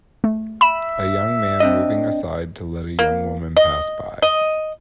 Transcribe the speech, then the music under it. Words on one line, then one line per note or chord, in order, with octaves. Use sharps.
A young man moving aside to let a young woman pass by.
A3
E5 B5 E7
C4 D4 D#5
A#3
D#5
D#5